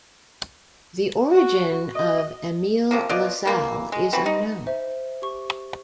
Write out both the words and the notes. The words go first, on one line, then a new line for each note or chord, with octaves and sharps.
The origin of Emil LaSalle is unknown.
F#4
D#5
C3 F3 A#3
B2 F4 D5 D#5
E3 A#3
G#3
E3 C4 F#4 B5
D#4
C5 E5
G4 C#6